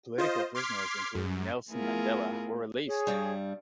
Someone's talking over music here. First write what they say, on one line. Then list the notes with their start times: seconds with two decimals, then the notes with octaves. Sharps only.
Political prisoners including Nelson Mandela were released.
0.18 F4 C5 D#5
0.55 C6 D6 F6 G#6 B6 C7
1.15 F#2
1.72 A3 B3 E4 F4 G#4 A#4
2.87 G#4 C#5
3.07 G2 G3